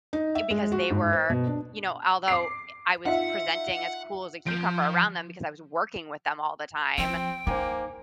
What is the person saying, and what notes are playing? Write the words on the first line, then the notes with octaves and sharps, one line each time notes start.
eh, because they were you know, although, eh, I was presenting as cool as a cucumber around them, because I was working with them all the time,
D#4
E5
G#3
F#4
G#2
C5
B2
D4
D6 C7
D#4 F4 E5 F#5
F3 G6 D7
F3 C4 G5
A#3 D#4 C5 G#5 D6